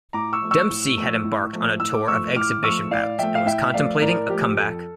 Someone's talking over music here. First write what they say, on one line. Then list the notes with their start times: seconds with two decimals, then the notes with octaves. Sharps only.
Dempsey had embarked on a tour of exhibition bouts and was contemplating a comeback.
0.13 A2 A#5 D6
0.33 C#6 E6
0.42 F3 A3
0.51 C#6 E6
0.70 A2
0.97 F3 A3
1.24 A2
1.53 F3 A3
1.80 A2 E6
1.93 D6
2.07 F3 A3 C#6 E6
2.36 A2 D6 F6
2.63 F3 A3 C#6 E6
2.91 A2 D5 F5
3.19 F3 A3 E5 G5
3.35 F5
3.46 A2 E5 G5
3.74 F3 A3 D5 F5
4.02 A2 A#4 D5
4.29 F3 A3 G4
4.57 F2 A4